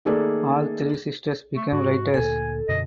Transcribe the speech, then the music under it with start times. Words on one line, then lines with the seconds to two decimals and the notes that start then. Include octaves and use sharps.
All three sisters became writers.
0.05 D#3 A3 A#3 G#4 A4 D5
1.56 A3
1.72 G#2 F#4
2.14 D2 A#2 A4 G#5
2.69 F#2 B2 D3 D#5